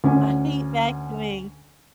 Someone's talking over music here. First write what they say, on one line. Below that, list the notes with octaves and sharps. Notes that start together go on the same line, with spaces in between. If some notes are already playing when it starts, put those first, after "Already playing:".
I hate vacuuming.
D2 C#4 G#5